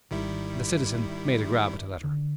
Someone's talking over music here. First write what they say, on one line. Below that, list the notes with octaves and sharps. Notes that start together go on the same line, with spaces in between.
The citizen made a grab at the letter.
G#1 D#3 G3 E4
D3